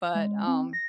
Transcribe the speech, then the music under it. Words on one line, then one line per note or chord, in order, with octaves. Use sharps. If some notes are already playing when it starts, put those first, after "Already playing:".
but, um
G#3
C4
A#6